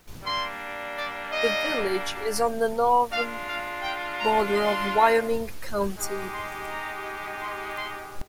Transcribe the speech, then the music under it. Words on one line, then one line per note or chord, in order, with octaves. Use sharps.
The village is on the northern border of Wyoming County.
G3 A#3 D4 C6
D5
D#5
G#3 D4 F4 F5
F5
G5
A#5
C6
G#3 D#4 G4
C6
A#5
C6
C6